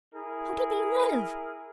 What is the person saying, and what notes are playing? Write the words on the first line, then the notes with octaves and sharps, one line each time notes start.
How do they live?
E4 G#4 A#4